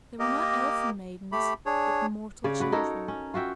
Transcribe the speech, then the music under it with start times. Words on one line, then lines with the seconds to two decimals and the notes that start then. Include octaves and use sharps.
They were not elfin maidens, but mortal children.
0.19 A#3 G4 A#4 D#5
1.32 A3 G4 B5
1.66 D4 G#4 C#5
2.44 C#3 C#5 D5
2.60 F#4 B4 D5
2.72 D#4 A4 A#4 C#5
3.08 C#4
3.34 F4 F#4 E5 G5